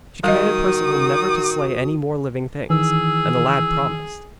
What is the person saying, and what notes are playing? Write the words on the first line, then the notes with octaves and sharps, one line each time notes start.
She commanded Perceval never to slay any more living things, and the lad promised.
D#3 G3 F#4 D#5 D#6
D#3 E3 G#4 E6